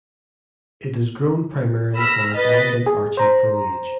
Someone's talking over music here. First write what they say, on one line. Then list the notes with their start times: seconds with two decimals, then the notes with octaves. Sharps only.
It is grown primarily for its elegant arching foliage.
1.96 B5 E6 F6 A#6 B6
2.34 B4 D#5 A6 B6
2.86 G#4
3.17 C5 A#5